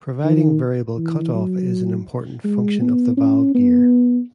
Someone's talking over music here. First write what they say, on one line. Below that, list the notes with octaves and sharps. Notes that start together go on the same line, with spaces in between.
Providing variable cutoff is an important function of the valve gear.
D#3
E3
F#3
G#3
B3
C#4
B3